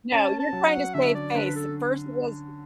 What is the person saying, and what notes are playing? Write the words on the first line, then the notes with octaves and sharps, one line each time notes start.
No, you're trying to save face. First it was,
C#4 A5
A5
F#3
F#5
D3 E5
D5
D3 B4
B4
A4